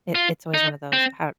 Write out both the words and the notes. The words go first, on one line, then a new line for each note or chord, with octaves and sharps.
it it's always one of those har m m
F4
D#4
C4